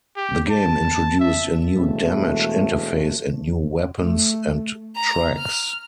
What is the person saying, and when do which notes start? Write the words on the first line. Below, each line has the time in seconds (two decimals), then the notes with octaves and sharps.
The game introduced a new damage interface and new weapons and tracks.
0.16 G4
0.50 A5
1.19 E5
1.75 E1 A3
4.00 A3
4.96 A#5
5.37 F6